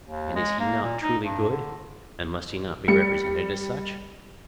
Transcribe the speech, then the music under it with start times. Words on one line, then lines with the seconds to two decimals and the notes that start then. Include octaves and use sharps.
And is he not truly good? and must he not be represented as such?
0.06 D#2
0.36 G#3
0.60 A#3
0.82 A#2
1.02 D#4
1.24 G2
1.50 D3
2.88 G3 C#7